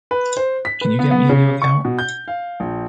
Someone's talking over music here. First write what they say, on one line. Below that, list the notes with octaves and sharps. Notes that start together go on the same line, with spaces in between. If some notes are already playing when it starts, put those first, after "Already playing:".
Can you get me a new account?
B4
C5
B6
B4
B3
B3
C#3
C#6
B2
G6
F5
A#1